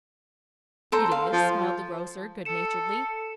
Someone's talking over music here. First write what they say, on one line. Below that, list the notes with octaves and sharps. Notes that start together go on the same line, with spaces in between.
"It is," smiled the grocer, good-naturedly.
A4 C5 A#5
F5
F3
A4 C#7 E7